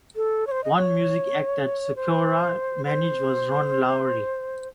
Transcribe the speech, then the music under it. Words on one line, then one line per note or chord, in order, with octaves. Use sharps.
One music act that Sikora managed was Ron Lowry.
A4
C#5
C5
D#5
C#5
C5
C5